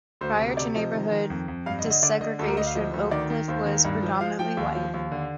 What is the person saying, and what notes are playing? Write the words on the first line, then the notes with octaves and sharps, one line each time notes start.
Prior to neighborhood desegregation, Oak Cliff was predominantly white.
D2 C5
C3
C3 D5
F3 D#5
D#3
D#3
F2
F2
G2 F5
D#5
D3
D#5
D3 D5
D3 D#5
D2 A4
A#4
D2 D#5
F5
F3 D#5
D2
D#3 D5
D#3
D#2 C5
D#3
G2
F3
F3 F5
F3 G5
D#2
F3
D#2
D3